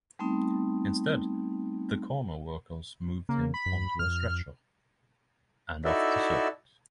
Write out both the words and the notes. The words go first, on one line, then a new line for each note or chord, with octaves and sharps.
Instead, the corner workers moved him onto a stretcher and off the circuit.
G3 A3 B3 C4 D#4
C#3 A#3
B5
F#2
F2 F6
D#4 E4 F#4 A4 D5 E5